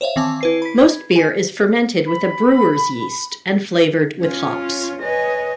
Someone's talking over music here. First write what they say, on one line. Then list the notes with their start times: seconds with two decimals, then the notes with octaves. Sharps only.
Most beer is fermented with a brewer's yeast and flavoured with hops.
0.01 C5 C#5 E5 F5
0.16 D#3 E3 C4 G#5 A5 D6
0.41 E4 B4 C7
0.62 B5 B6
0.78 G#6
1.16 G#5
2.08 B5
4.21 C#4 F4 C#5
5.01 B4 C#5 D#5 G#5